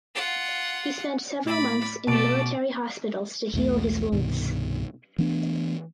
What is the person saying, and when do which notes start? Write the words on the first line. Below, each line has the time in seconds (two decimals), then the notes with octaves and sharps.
He spent several months in military hospitals to heal his wounds.
0.15 F4 F#5
1.45 A2 D5 B5
2.07 B2 A3 D5 D7
3.53 B1 E2 G3 A3
4.12 C2 G2 B2 D#3
5.19 E3 A3 B3 D4